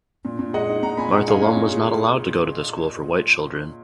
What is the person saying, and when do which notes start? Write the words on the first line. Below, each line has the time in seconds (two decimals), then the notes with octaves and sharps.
Martha Lum was not allowed to go to the school for white children.
0.25 A#2
0.39 A#2
0.53 G#3 D#5 F#5
0.69 D#4
0.83 A#2 F#5 A#5
0.97 A#2 G#5 B5
1.12 G#3 F#5 A#5
1.27 D#4 F5 G#5
1.42 A#2 C#5 F5
1.57 A#2
1.72 G#3